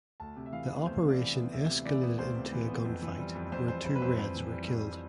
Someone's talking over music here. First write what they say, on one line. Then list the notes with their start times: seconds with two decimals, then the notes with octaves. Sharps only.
The operation escalated into a gunfight where two Reds were killed.
0.20 D2 A5
0.36 C3
0.46 E5
0.53 E3 F5
0.70 B3
0.86 D2 C5
1.03 C3
1.08 D5
1.19 E3
1.36 B3
1.52 D2 E5
1.69 C3
1.85 E3 D5
2.03 B3
2.19 D2 C5
2.36 C3
2.52 E3
2.68 B3
2.85 F2
3.02 E3
3.18 G3
3.35 F2
3.52 F2 C5
3.68 E3 C5
3.84 G3 C5
3.95 B4
4.02 F2 C5
4.18 F2 C5
4.35 E3
4.52 G3
4.68 F2